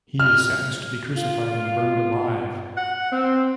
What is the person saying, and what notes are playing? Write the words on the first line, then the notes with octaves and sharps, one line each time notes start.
He is sentenced to be crucified and burned alive.
F6
F4
F#5
C4